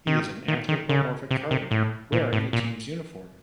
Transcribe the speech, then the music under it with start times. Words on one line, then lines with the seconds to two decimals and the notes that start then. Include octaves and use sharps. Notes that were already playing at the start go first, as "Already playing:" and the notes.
He is an anthropomorphic cardinal wearing the team's uniform.
0.07 D#3
0.48 D#3
0.69 D#3
0.89 C#3
1.31 C3
1.51 C3
1.71 A2
2.12 A#2
2.33 A2
2.53 A#2